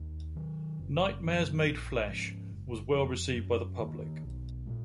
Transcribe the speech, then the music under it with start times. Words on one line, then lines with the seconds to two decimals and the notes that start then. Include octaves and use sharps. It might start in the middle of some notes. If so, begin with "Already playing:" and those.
"Nightmares Made Flesh" was well received by the public.
Already playing: D#2
0.36 D#3 F#3
0.79 F#1
1.22 F#2 D#3 F#3
1.65 A#1
2.07 G#2 F3 G#3
2.52 F#1
2.94 F2 F3
3.37 F#2
3.80 D#3 A#3
4.23 B1
4.66 A#2 G#3